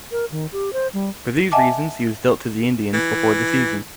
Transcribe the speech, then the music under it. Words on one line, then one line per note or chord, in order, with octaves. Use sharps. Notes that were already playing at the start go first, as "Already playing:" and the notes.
For these reasons, he was dealt to the Indians before the season.
A#4
D#3
G4
C5
G3
D#5 E5 F#5 G#5 A5 D6
E3